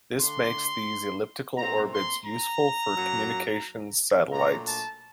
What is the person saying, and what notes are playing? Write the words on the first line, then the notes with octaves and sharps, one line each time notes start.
This makes these elliptical orbits useful for communications satellites.
D3 A3 D4 C6
A#2 A3 C4 A#5
C6
A#5
F#2 F#3 A#3
A#2 F#3 A3 D4 A#5
A5